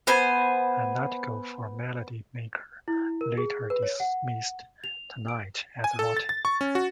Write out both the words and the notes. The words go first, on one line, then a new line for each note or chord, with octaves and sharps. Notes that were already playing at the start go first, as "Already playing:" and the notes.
An article for "Melody Maker" later dismissed "Tonight" as "rotten".
B3 C5 G#5
E4
A#4
G#4
B4
C#5
F#5
F7
D7
G#5
A4
A6
A6
C#6
C#4
F#4